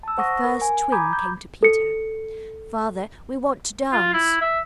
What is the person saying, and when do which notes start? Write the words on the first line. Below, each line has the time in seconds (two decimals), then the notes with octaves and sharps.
The first twin came to Peter. 'Father, we want to dance.'
0.03 A5 E6
0.18 C5 F#5 C#6 D#6 A#6
0.44 A#4
0.61 G#5
0.92 A#5 B5 D6 D#6 G6 G#6
1.13 G6
1.63 A4 C#7
3.93 F4
4.14 E4
4.41 E5